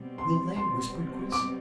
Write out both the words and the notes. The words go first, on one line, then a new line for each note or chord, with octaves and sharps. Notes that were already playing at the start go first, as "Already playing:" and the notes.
"Will they?" whispered Chris.
Already playing: B2 G3 C4
C6
C6
D6